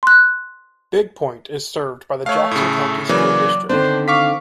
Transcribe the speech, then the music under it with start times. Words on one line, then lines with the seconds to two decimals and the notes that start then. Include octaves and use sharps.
Big Point is served by the Jackson County School District.
0.03 C6 F#6
2.26 A3 C#5 F5
2.51 A2 C#3
3.09 C#3 E3 F#3 A#3 D5
3.69 D3 D#3 C4 D4 C5
4.08 F5 C#6 D6 B6